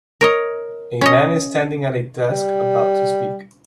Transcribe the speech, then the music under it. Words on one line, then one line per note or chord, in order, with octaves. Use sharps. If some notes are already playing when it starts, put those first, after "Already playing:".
A man is standing at a desk about to speak.
A#4 C#5 D#5
C#4 C#5 D#5
G3